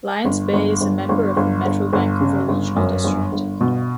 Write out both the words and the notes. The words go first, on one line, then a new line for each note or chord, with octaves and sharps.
Lions Bay is a member of the Metro Vancouver Regional District.
G1
G1
G1
G1
G1
G1
G1
C#3
G1
F#2
G1
G1
B2